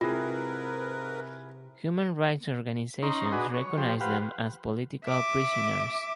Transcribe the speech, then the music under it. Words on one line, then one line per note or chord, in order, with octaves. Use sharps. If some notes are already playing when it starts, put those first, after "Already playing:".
Human rights organizations recognized them as political prisoners.
G#2 C3 E4 F4 G#4 A#4 B4
C#4 D#4 A#5 C6
D4 F#4 G#4 B4 D#5
C#5
F3 G4 C5
G4 B4 C5 F5 F#5
E5 D6